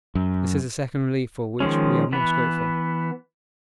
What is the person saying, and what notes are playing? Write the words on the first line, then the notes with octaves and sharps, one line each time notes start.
This is a second relief for which we are most grateful.
F#2
D#3 F3 G#3 C#4
E3 B3 B4